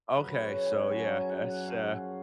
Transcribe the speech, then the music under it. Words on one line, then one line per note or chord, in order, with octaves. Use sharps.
Okay, so, yeah, that's, uh
F#2 C#3 F#3 B4
C#5
G#5
F#2 C#3 F#3 G#5
F#5
F#2 C#3 F3 F5